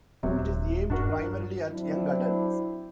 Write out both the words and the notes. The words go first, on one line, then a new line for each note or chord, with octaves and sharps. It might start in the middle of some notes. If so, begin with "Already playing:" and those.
It is aimed primarily at young adults.
D#1 C3 F#3
G2 G3 D4 F#4 A#4
F#3 C4 D4 E4